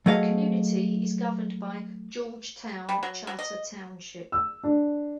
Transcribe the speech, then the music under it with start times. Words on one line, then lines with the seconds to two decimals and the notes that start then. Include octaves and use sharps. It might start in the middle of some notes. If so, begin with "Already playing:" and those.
The community is governed by Georgetown Charter Township.
0.06 F#3 A3 G#4 D#5 F5
2.89 G3
3.03 F#3
3.27 F#3
3.39 D#5
4.32 E6
4.64 D4